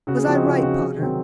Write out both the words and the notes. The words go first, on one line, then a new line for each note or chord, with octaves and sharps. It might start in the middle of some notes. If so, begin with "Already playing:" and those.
Was I right, pater?
C#3 F#4
G#4
F3 C4 F#4
D#4
C#3 F4
F3 C4 F#4
C3 G#4
D#3 F#3 C4